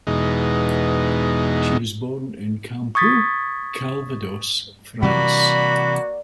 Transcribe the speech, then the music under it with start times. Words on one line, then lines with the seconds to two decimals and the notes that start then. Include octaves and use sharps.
She was born in Campeaux, Calvados, France.
0.07 E2 B2 G#3 D#4
2.95 C#6 D#6 G#6 A6 B6
5.02 C3 E3 G3 A#3 F#4 D5 B5